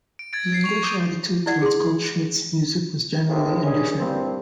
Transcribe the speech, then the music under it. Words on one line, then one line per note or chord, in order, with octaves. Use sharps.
The English attitude towards Goldschmidt's music was generally indifferent.
D7
G#6 A6 D7
A6 C7
C#6 F7
D6 D#6 G6 D7 D#7
E4 D5 F#5
G#4 C6
G#1 D#2 A2 C3 G#3 B3
C#2 D#3 G3 C#4 G#4
C2 G2 A#2 C4